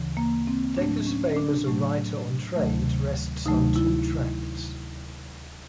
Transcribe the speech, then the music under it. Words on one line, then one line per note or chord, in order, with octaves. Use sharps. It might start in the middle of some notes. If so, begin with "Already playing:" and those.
Decker's fame as a writer on trade rests on two tracts.
Already playing: D2 C#3 E3
A#3
C4
A2 F#3 A3 D4
C#4
D4
A2 F#3 A3
D2 C3 D#3 F#3 A3
D2 C3 D#3 F#3 A3 D#4
E4